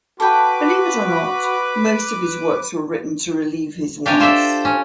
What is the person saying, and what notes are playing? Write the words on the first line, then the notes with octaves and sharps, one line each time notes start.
Believe it or not most of his works were written to relieve his wants.
F#4 A4 B4 G5 B5 D6
D4 G4 A#4 C#5 G#5
F4 A4 C5 D5 E5 G5
C#4